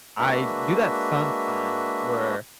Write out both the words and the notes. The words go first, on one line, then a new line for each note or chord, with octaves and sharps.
I do that sometimes where
G#3 A#3 D4 F#4 B4 E5